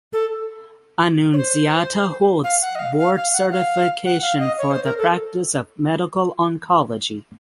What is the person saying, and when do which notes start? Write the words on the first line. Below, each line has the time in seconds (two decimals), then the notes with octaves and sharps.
Annunziata holds board certification for the practice of medical oncology.
0.13 A4
1.33 C#5
1.37 C5
2.44 F5
2.62 F#5
2.75 D#5
2.79 F5
2.98 F5
3.16 F5
3.33 F#5
3.51 F5
4.05 F#5
4.22 F5
4.40 D#5
4.58 C#5
4.71 C5
4.84 A#4
4.98 A4